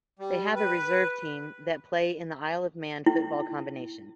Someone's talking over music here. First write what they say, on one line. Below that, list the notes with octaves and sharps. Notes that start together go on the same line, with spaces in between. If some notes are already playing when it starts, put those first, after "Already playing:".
They have a reserve team that play in the Isle of Man Football Combination.
G3
B4
E4